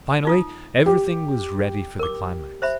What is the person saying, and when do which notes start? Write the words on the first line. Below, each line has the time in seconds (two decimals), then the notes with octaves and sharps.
Finally everything was ready for the climax.
0.25 D#4 F4 D#6
0.86 G4
1.99 A#4 D6
2.62 C5 E5 B5